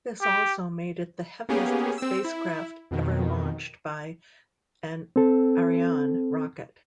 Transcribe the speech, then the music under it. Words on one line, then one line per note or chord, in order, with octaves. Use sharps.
This also made it the heaviest spacecraft ever launched by an Ariane rocket.
G4
A#3 B3 C#4 G4 G#4
C4 E6
E4
F2 B2 D#3
C4 A4